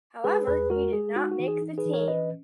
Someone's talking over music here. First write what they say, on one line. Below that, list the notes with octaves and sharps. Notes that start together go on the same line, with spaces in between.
However, he did not make the team.
G#3 G#4 B4
E2 G#4 B4
G#3 F#4 A#4
G#3 G#4
D#4 F#4
F#4
E3
G#4
D#4
G#4 B4
E3
A#4 C#5
C#4 B4 D#5